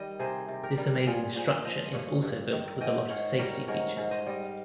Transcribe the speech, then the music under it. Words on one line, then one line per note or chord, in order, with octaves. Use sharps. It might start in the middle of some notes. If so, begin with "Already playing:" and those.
This amazing structure is also built with a lot of safety features.
Already playing: D#3 G3 D#5
C3 G#4 C5
C3
G4 A#4
G3
A#2 F4 G#4
A#2 G#4 C5
F3 C5 D#5
D#5
G2 C#5 F5
G2
D#3
G#2 D#5 G5
G#2 C#5 F5
G3 A#4 C#5
G#2 A#4 C#5
G#2 F5
C5 D#5
G3 D#5
F5